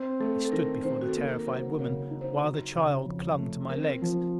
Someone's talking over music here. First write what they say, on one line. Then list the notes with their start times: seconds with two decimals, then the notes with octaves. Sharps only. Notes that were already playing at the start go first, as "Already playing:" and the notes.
I stood before the terrified woman while the child clung to my legs.
Already playing: C4
0.20 A3 A4
0.45 A4
0.52 D#3 A#4
0.83 D#3 C5
1.01 F#4
1.09 A4
1.15 A#3 A#4
1.39 A#4
1.47 F#3 C5
1.79 C#3 A#4
2.11 D#4
2.21 C5
2.43 F#3
2.75 C#3
3.06 F2
3.38 A3
3.70 C4 A#4
4.02 F3